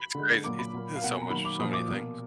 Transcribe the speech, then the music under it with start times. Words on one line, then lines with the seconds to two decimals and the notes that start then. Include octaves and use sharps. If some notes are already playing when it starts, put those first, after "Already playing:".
It's crazy, he's he's in so much so many things.
Already playing: B5
0.15 D3
0.20 G#3
0.44 A#2 F#3 A#3 D6
0.59 B5
0.73 A#2 F#3 A#3
0.96 F5
1.02 B2 A#3 F#5
1.13 G#5
1.22 A#5
1.30 D#3 F#3 A#3 B5
1.45 D6
1.59 A#2 F3 A#3 D#6
1.73 D6
1.88 B2 A#3